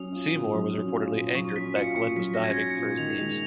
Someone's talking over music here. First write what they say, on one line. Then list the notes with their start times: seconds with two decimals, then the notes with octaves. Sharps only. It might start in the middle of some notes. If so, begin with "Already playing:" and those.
Seymour was reportedly angered that Glenn was diving for his knees.
Already playing: F#3 C#4 D#6
0.12 F4
0.33 A#2
0.54 F#3
0.75 C#4
0.94 F4
1.14 A#2
1.35 F#3 C#6
1.56 C#4 B6
1.75 F4 C#7
1.96 A#2 C#7
2.16 F#3 B6
2.34 C#4 A#6
2.44 G#6
2.57 F4
2.70 C#7
2.78 A#2
2.97 D#3 F7
3.17 G#3 F7
3.29 F7